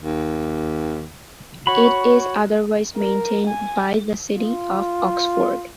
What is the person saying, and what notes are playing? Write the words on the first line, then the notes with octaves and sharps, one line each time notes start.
It is otherwise maintained by the city of Oxford.
D#2
F#4 C#5 B5
A#4
G#5
F4